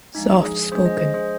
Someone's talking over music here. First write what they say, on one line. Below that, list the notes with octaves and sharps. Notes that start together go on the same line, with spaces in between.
Soft spoken.
F3 G#3 D4 D#4
G#4
F3 G#3 D4 G#4 C5
C5 D#5
C5 D#5
G#4 C5